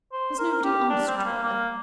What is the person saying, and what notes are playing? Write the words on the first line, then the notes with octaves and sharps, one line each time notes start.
"Has nobody asked where?"
C5
A#4
A#4
G4
D4
C4
G3
A#3
A#3